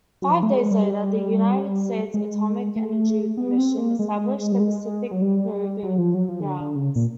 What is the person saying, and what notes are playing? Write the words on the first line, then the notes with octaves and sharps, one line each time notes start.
Five days later, the United States Atomic Energy Commission established the Pacific Proving Grounds.
F#3
F3
A3
G#3
G3
G#3
A3
B3
C4
A#3
G#3
G3
G#3
F#3
G3
F#3
F3
F#3
F3
D#3
D3
D3
C#3
A#2